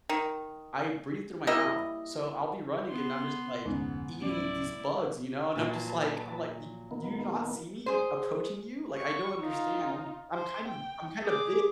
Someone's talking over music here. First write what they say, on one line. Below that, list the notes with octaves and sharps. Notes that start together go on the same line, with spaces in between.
I breathe through my mouth, so, I'll be running and I'm just, like, eating these bugs, you know, and I'm just like I'm like, "Do do you not see me approaching you?" Like, I don't understand, I'm I'm kind of I'm kinda big
D#3
G3 A#3 E4 D#5
B3 C6
F1 D2 G#2 B3 C#4
D1 F#3 C#4 E4 D5
A#2 F#3 F4 B4 A5
D#3 A#3 B3
G#4 C5
C#6
D#4 F4
C5
G5
G#4 D6